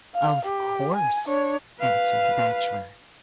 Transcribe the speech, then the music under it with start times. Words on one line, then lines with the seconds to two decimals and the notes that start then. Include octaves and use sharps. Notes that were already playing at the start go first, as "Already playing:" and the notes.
"Of course," answered the Bachelor.
0.15 F5
0.45 G4
0.95 G#5
1.26 D4 C#5
1.79 B4 F5